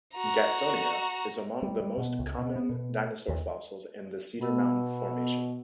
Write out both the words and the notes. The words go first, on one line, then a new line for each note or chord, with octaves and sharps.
"Gastonia" is among the most common dinosaur fossils in the Cedar Mountain Formation.
F#4 A#5
G3
G3
B2
C#2
B2
B3
B2
D#2
B2 B3 B5 E6